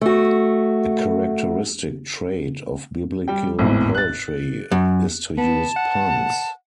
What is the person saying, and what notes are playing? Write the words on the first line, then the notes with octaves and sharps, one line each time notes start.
A characteristic trait of biblical poetry is to use puns.
A3 F#4
G3 G5
G#1 E2 A2
F#6 A6
F#2
B3 A5
F#5